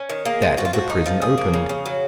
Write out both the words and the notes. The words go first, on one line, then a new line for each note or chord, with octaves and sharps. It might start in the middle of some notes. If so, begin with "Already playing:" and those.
That of the prison opened.
Already playing: C#4
D#3
A#3 G#4
F3
F3 F#4
F4
F3 F#4
D#4
F3
F3 G#4
A#3
C#3
C#3
F#3